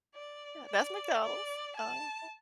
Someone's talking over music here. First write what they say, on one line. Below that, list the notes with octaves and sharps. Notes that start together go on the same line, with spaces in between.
that's McDonald's, uh-huh.
D5
D5
D5
A5